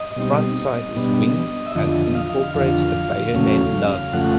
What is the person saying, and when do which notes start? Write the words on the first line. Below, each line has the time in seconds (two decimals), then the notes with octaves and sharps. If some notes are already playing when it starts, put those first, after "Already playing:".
The front sight is winged and incorporates a bayonet lug.
Already playing: D#5
0.16 B2 G3 C4 D#4
0.96 B2 G3 B3 D4
1.66 E5
1.75 F2 D3 F3 D#5
2.15 F5
2.54 F2 D3 F3 F5
3.34 E2 C#3 F#3 A3 C#4
4.13 F2 C#3 F3 A3 F#5